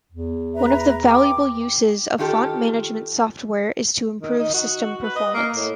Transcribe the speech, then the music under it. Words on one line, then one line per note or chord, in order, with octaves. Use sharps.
One of the valuable uses of font management software is to improve system performance.
E2
B4 E5 A#5
G5 D6
D#3 F4 G4 A4
D#3
D#4
F#4
B4
D#5
A#3
A2